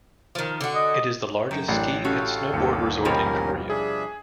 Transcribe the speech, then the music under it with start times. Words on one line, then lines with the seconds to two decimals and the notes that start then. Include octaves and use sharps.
It is the largest ski and snowboard resort in Korea.
0.35 D#3 F3
0.61 D3 F#4
0.75 D#5
1.51 F#2 G5
1.68 A1 D4 F#5
2.04 C#4 F#4 G4 A4 F5
2.53 G1 D#2 C#7
3.05 B2 F3 G3 C#4 A#4
3.70 D4 G#4 E5